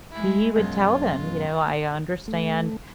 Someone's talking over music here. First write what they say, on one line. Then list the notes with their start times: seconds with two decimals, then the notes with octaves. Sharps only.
he would tell them, you know, "I understand
0.11 G#3 E4
0.56 F#2 B2 G#3 F4
2.28 A3